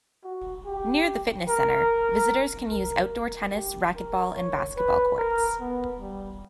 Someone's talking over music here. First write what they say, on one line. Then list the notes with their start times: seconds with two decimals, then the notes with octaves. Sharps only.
Near the fitness center, visitors can use outdoor tennis, racquetball and basketball courts.
0.24 F#4
0.66 G4
1.49 A#4
2.72 A#4
3.53 G4
3.96 A#4
4.36 C#5
4.77 B4
5.18 A#4
5.60 B3
6.00 G3